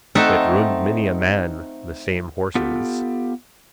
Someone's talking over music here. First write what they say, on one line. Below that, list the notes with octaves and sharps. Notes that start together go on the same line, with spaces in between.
It ruined many a man, the same horses.
A3 C4 D#4 A4 E5 F#5
B3 F4 G4 A4